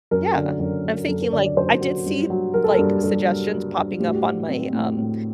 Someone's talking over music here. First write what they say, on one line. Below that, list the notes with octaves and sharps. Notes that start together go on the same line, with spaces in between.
yeah, I'm thinking like, I did see, like, suggestions popping up on my, um,
F#2 A#4
D3
F#2
F#3
F#2 A4
A#4
D3 D5
D5
F#2 C5
F#3
G2
F#3
F#3 A#4
A4
G2 A#4
G2 A4
F#3
F#3
G2
A2 G4
F#4
G4
F#3
F#3 C4
A2
A2